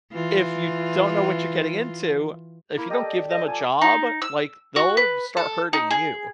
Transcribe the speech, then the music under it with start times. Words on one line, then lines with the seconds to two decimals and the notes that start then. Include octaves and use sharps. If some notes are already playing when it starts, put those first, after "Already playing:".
If you don't know what you're getting into, if you don't give them a job, like, they'll start hurting you.
0.12 E3 F4
2.77 A#3 E4
2.90 G4 A4 D5 D#5
3.30 A4 D#5
3.47 F3 G#5 A5
3.82 D#4
4.22 E6
4.76 F#4
4.97 B4
5.37 A4
5.73 D#4
5.91 G#4